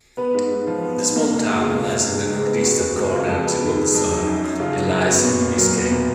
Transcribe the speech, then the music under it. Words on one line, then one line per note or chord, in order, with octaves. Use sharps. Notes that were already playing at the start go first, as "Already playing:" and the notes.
The small town lies in the northeastern corner of Gipuzkoa and lies on Biscay.
B3 B4
G#2
G#2
F3 F4
B3
G#2
A#3
C#2
C#2
B2 F4
A#3
C#2
G#3
C#2
B3
C#3 F#4
G#3 G#4
C#2 F#4
G#3 F4
F2
B3
D#3
G#3
F2
F#3 D#4
F#2
F#2
C#3 F4
F#3
F#2
B3 F#4
A#2
A#2
F#3 A#4
B3
A#2